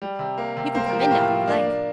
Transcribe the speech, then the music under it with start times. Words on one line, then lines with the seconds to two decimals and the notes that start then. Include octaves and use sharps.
"You can come in now, if you like."
0.02 G3
0.19 C3
0.38 A#3
0.57 C3
0.75 A#3 C5
0.86 A#4
0.93 F3
0.99 G4
1.11 A2 F4
1.30 F3
1.48 A#3 D4
1.67 A#3